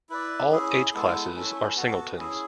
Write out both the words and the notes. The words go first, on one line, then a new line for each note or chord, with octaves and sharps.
All "H"-classes are singletons.
E4 B4 D5
C#4 E4 G#4
G#3 B3 E4 A4
A3 C#4 E4
B3 F#4 A4
C#4 E4 G#4